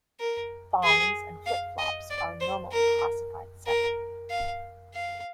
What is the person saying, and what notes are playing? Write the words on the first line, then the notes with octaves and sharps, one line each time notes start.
Thongs and flip flops are normally classified separately.
A#4
G#4
F5
D#5
D5
C5
A#4
A#4
F5
F5